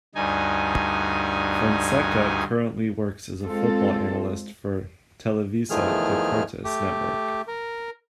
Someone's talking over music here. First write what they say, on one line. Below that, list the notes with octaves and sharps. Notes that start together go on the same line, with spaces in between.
Fonseca currently works as a football analyst for Televisa Deportes Network.
D2 G2 D#4 G#5
G#3 C4 F4 A4
E2 D#3 F3 A3 G#4 F6
A3 G4
A#4